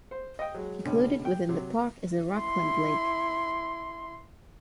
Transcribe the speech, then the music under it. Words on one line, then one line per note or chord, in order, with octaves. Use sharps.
Included within the park is the Rockland Lake.
C5
D#5 G5
F#3 G#3
C#2 B2 D3 C#4
G5
C3 F#3
E4 C6